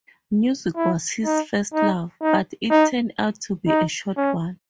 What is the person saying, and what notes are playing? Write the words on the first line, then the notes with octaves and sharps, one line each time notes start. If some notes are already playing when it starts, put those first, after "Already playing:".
Music was his first love, but it turned out to be a short one.
E4
D#4
D#4
D#4
D#4
D#4
C#4